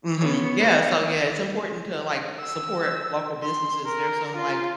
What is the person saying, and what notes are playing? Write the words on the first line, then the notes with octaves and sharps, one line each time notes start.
Mhm, yeah, so yeah, it's important to, like, support local businesses. There's some, like,
B3 C#5
E6
C6
A#4
F4